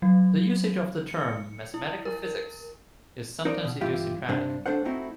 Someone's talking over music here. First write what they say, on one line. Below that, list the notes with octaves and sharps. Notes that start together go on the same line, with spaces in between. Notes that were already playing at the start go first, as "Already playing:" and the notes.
The usage of the term "mathematical physics" is sometimes idiosyncratic.
F#3
C#7
E4
A#4
D#4 A#4 C5 D5
B2
G2 E3 E4 F4 G4
G2 C3 D4 C5
A3 C4 D4 A4 C5 F#5
A3 C4 D#4 E4 F#4